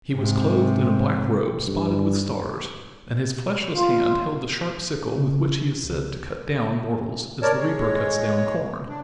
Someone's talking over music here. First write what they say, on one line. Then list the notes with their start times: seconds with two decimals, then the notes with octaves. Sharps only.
He was clothed in a black robe spotted with stars and his fleshless hand held the sharp sickle with which he is said to cut down mortals as the reaper cuts down corn.
0.13 G#2 C3
1.67 G2
3.74 F4
5.18 C#3
5.84 C#2
7.43 A#4 C#5 D5 A5
7.58 G#3 C#5
8.89 D4